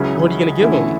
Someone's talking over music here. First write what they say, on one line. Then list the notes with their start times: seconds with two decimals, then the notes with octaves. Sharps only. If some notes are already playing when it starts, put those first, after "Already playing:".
So what are you gonna give 'em?
Already playing: C#2 C#3 F#3 C#4 E4
0.60 E2 D3 A3 C#4 E4